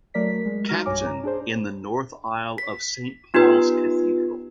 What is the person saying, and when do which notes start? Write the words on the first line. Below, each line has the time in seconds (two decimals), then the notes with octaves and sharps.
"Captain", in the north aisle of Saint Paul's Cathedral.
0.14 F#3 A3 A#4 D5 B6
0.46 G#3
0.68 D#4 F#4 A#5 F6 A#6
0.86 B1 G2 C#5 G#5 D6
1.06 A#5
1.24 D4 G#4 C5
2.58 B6
3.34 B3 D#4 F4 G4 B4